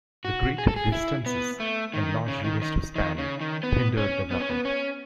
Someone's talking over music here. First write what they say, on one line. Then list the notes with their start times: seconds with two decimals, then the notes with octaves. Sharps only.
The great distances, and large rivers to span, hindered development.
0.25 F#4
0.58 G#4
0.68 A4
0.76 G#4
0.92 E4
1.26 B3
1.60 A3
1.94 D#3
2.28 C#3
2.44 D#3
2.62 D#3
2.95 D#3
3.18 C#3
3.41 D#3
3.63 B3
3.97 C#4
4.31 B3
4.40 C#4
4.49 B3
4.65 C#4